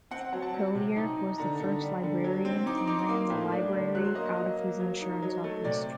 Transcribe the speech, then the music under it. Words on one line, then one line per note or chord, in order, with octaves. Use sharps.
Hillyer was the first librarian and ran the library out of his insurance office.
C4 F#5
F#5
F#3 F#5
A5
F#3
C3
D#4
D#4
D3 A#5
D3
G3
D3
F#3
C4
D#4 D6
C6
D#4 D6
D6
A#3 C6
A2
D4
D3
F#3 F#6
C6
A#3 D#5
D#5
F#3 D#5
A#3
F#3
D#4
F#3
A3
C3 D5